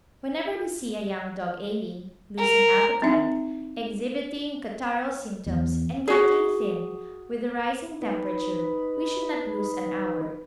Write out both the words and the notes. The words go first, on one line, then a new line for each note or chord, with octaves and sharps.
Whenever we see a young dog ailing, losing appetite, exhibiting catarrhal symptoms, and getting thin, with a rise in temperature, we should not lose an hour.
A#4
C4 D4 D#4 E5
E2
F#4 G#4
D#4 B4